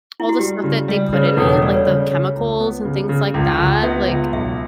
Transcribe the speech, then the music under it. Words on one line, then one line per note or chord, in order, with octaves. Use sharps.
all the stuff that they put in it, like the chemicals and things like that, like,
E4
F#4
G3 G4
C#3
G3
C#3 C#5
B4
E1 A4
C#5
G3 D5
C#5
C#3 C#5
C#3
C#2
B3
C#3
C#3
C#2
C#2
B3 E5
C#2
B1 E5